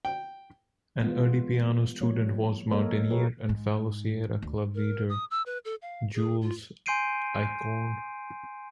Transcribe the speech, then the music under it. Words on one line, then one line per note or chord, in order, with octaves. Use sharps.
An early piano student was mountaineer and fellow Sierra Club leader Jules Eichorn.
G5
E3 G3 G#3 B3 F4
F3 G3 A#3 C#5
F#3 A#3 A4 A#4 C#5 D#5
F4 G4 G#4 A#4 B4 C#5
G#2
D2
A#4
D#6
E6
B4
A4
F5
G#4
F4
G#5 C6 G6 C7 D7 D#7